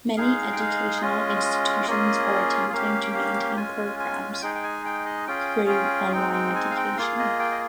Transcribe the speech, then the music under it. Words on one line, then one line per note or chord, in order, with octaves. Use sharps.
Many educational institutions are attempting to maintain programs through online education.
G#3 D#4 G#4 F5
G5
F5
G#3 C#4 F4 D#5
A#3 C#4 F4 G#4
A#3 C#4 G4 F5
G5
F5
G#3 C#4 F4 G#5
G#5
G#5
G#3 D#4 G#4 G5
G5
G#5
G5
D#5
C#4 F4 G#4 G5
G5
G#3 C4 D#4 G5
G5
G#5
F5
G5
A#3 F4 G#4 F5
D#5
G5
D#5